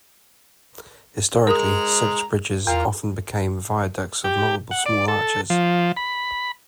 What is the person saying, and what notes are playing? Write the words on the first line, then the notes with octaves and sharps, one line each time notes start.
Historically, such bridges often became viaducts of multiple small arches.
G#3 A#4 A#5 D#6
E2 F4 A#4
G4
F#5
D5
A4
F3
B5